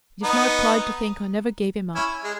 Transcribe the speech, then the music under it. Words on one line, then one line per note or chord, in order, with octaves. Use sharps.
It is my pride to think I never gave him up.
B3 D#4
C#4 E4
G#3